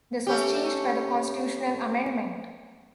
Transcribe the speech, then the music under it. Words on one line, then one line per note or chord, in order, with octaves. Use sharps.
This was changed by constitutional amendment.
A3 C#4 G4